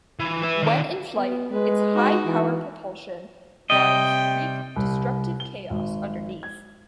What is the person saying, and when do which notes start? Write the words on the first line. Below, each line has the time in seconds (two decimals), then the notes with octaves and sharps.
When in flight, its high-power propulsion winds wreak destructive chaos underneath.
0.19 E3
0.42 B4 E5
0.62 D#3 D5
1.15 B3
1.52 G#3 B4
1.93 D#4 F#4
2.25 E3
3.70 C3 G3 D#5 G5
4.76 C2
5.40 G7
5.70 G#1
6.43 G#6